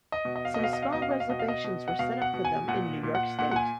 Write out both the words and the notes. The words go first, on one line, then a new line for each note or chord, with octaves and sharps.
Some small reservations were set up for them in New York state.
D#5
B2
D#5
F5
B2 D#5
F5
D#5
F5
B2 D#5
F5
D#5
F5
B2 D#5
F5
D#5
B2
F#5
B2 F5
F#5
B2
G#5
A#2 F#5
A#2
F#5
A#2 F#5
F#5
G#5